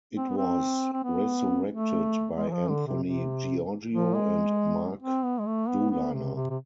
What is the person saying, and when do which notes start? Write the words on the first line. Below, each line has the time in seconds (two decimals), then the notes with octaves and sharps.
It was resurrected by Anthony Giorgio and Mark Doliner.
0.16 C4
0.30 B3
0.38 C4
0.93 C4
1.04 B3
1.70 A3
2.37 G#3
2.49 E3
2.53 F3
2.70 D3
2.87 C3
3.03 C3
3.92 F3
4.14 G#3
5.02 C4
5.24 B3
5.40 G#3
5.47 A3
5.69 B3
5.90 B3
6.13 C3
6.36 C3
6.50 C3